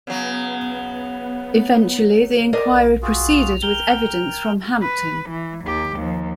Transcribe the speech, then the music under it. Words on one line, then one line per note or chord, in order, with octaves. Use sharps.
Eventually the inquiry proceeded with evidence from Hampton.
C#3 F#3 B3
D4 A#4 D#5
F4 F#4 G#4
F7
A#4 G5 G7
B4
E3
D#2 G4
D#2 F3